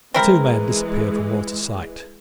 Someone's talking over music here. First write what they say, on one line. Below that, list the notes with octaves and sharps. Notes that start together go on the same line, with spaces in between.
The two men disappeared from Walter's sight.
E3 G#3 C4 E4 A#4